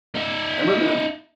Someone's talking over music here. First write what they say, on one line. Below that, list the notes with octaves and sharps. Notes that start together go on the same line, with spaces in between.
I remember the
D#4 E5